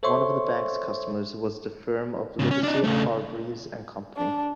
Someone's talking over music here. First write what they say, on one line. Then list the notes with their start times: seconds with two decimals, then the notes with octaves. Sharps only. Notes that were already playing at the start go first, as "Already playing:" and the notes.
One of the bank's customers was the firm of Livesey, Hargreaves and Company.
0.03 A4 C5 C#5 E5 C6 C#6
2.39 G#2 C#3
2.51 C#4
2.63 D4 D#4
2.84 C#3 A3
4.16 D4